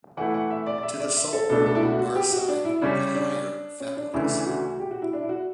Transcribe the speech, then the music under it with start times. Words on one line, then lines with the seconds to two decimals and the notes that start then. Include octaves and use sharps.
To the soul are assigned the higher faculties.
0.17 E3 A3 E4 F#5
0.34 F#5
0.50 E5
0.67 D5
0.78 D5
0.83 E5
1.00 D5
1.17 E5
1.33 A4
1.49 C#2 B2 A3 D4 A4
1.66 A4
1.75 E4
1.83 F#4
1.99 F#4
2.15 G4
2.32 F#4
2.49 D4
2.65 E4
2.81 C#3 G3 C#4 D4
3.15 D4
3.80 C#4
3.97 D4
4.13 D2 C#3 E3 A3 D4 E4
4.30 E4
4.46 F#4
4.80 G4
4.91 F#4
5.02 E4
5.13 D4
5.22 E4
5.29 F#4